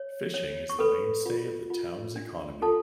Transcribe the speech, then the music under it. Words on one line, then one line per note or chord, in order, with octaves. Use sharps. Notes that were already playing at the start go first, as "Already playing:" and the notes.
Fishing is the mainstay of the town's economy.
Already playing: C#5
C#5
C#6
A4 B4 B5
F4
F4
D4
F4 A4 A5